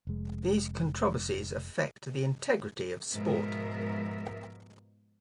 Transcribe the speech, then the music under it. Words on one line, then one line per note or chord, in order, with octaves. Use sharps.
These controversies affect the integrity of sport.
F1 G#3
G#2 B2 F3 A#4 E5